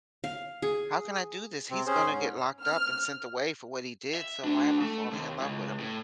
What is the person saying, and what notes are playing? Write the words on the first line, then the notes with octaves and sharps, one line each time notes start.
how can I do this? He's gonna get locked up and sent away for what he did, so why am I falling in love with him?"
F5
G#4
C3 C4
C#4 G#4 C5
G#2 C#4
F6
E5
A3 D4
A3
D#2
C#2
A2